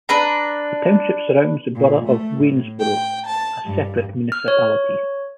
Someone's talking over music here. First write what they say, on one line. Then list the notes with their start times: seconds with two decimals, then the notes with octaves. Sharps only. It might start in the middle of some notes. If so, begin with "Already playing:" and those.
The township surrounds the borough of Waynesboro, a separate municipality.
0.09 D4 B4 A#5
1.75 A#2
2.04 A3
2.36 A2
2.79 G5
3.26 A5
3.64 G2
4.32 F6
4.48 C#5